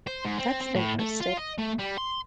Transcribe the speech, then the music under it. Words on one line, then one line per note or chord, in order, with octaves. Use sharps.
That's interesting.
C5
G#2
C4
C4
A2
A3
F4
D#5
A3
G3
C6